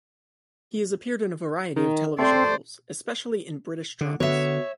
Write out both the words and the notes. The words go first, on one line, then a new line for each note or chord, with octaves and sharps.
He has appeared in a variety of television roles, especially in British dramas.
D#3
A3 C4 C5 D5
D3
D3 B3 F#4 C#5 E5